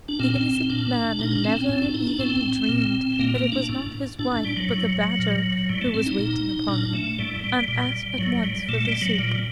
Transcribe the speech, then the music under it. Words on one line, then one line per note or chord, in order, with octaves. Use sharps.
The innocent man never even dreamed that it was not his wife but the badger who was waiting upon him, and asked at once for the soup.
D4
A#2 C4
A#2 D4
A#2 D#4
D4
C4
C4
A2 C4
D4
D#4
D4
A2 C4
A#2
A#2 A#3
A#3
D4
A2
A2 D4
D4
G3
F#3
A2
A#2
A2 G3
A3
C4
D#4
A#2
A#2 D4
A3
A2 G3
G3
A#2
A2 F#3
G3
A#2 A3
G3
F#3
A#2 G3